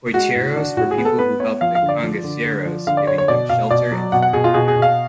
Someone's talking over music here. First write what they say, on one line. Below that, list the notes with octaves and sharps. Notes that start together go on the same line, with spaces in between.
Coiteiros were people who helped the cangaceiros, giving them shelter and food.
G#3 F#4
A2
D4
A2 F#4
G#4
B3
A4
B3 B4
B3 C#5
F3 F5
F5
D3
D5
F3
D3
D3
F3
D3 F5
D5
D3 C#5
C#5
B2 D5
B2 F5
B2 D5
F#3
B2 F#5
F#5
B2 G#4
F4
B2 G#4
G#4
B2
F5